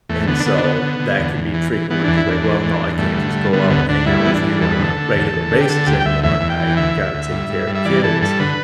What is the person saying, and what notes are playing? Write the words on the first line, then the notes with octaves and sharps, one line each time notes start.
and so that can be a tricky one 'cause, like, "Well, no, I can't just go out and hang out with you on a regular basis anymore. I gotta take care of kids,
E2 A3
D3 B3
D4
D3 B3
D4
D3 B3
D3
D3
E2
E2
E3
E3
E3 B3
E2 D4
E4
E2 D4
E3
E2
E2
G2 A3
D3
G2
D3 B3
D2 B3
D2 D4
G2 E4
A3
E3 B3
D4
G2
E2 A4
B4
D3 A4
D3
E2
E2
D3
G4
D3 A4
D2 G4
G5
D2 E5
E2 E5
E2
G5
E3
D2 E5
D2
D2
G2
G2
G2
E5
E3 D5
E3 A4
G2 A4
D3 B4